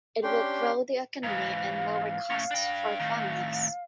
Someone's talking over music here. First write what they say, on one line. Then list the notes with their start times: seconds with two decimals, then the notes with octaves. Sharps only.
It will grow the economy and lower costs for families.
0.23 C#4 D4 G4 G5 C6
1.23 G#2 E3 F5
2.30 A2 C#4
2.51 D4 G5
3.00 A2 D#3